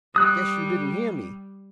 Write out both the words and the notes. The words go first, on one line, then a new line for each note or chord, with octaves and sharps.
Guess you didn't hear me.
G3 D#6 F#6